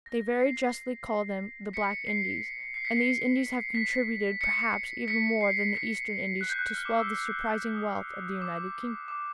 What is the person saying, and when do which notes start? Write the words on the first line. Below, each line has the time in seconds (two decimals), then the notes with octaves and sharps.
They very justly call them the "Black Indies," and these Indies have contributed perhaps even more than the Eastern Indies to swell the surprising wealth of the United Kingdom.
0.06 A#6
0.40 C7
1.73 B6 C#7
2.06 C7
2.74 C7
2.85 B6 C#7
2.97 C7
3.74 B6
4.41 B6 C#7
5.08 B6 C#7
5.41 C7
5.75 B6
6.41 F#6
6.49 G6
6.59 F#6
6.75 F6
6.85 D6
6.97 E6
7.75 D#6
8.42 D6
9.08 D6